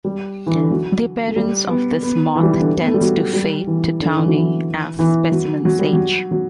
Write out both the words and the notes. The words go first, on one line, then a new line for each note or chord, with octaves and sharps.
The appearance of this moth tends to fade to tawny as specimens age.
G3
E3
D3
E3
F#3
A3
G3
B3
B3
E3
G3
E3
D3
B3
A3
G3
F#3
G3
E3
D3
E3
F#3
E3
E3
F#3
F#3
G3
F#3
F#3